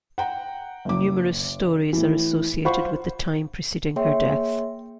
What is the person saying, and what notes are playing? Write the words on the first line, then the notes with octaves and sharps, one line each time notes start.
Numerous stories are associated with the time preceding her death.
F#5 G5 A#5
F#1 D6
A2 E3
F4 C5 F#5 B5 C#6
A#3 G#4 C#5 E5 G5 C6